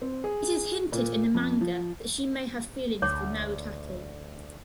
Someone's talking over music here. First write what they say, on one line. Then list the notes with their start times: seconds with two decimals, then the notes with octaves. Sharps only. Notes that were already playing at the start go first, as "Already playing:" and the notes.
It is hinted in the manga that she may have feelings for Narutaki.
0.02 C4
0.24 G#4
0.92 A#2
1.35 F2
1.61 F3
3.02 D2 C#5 D6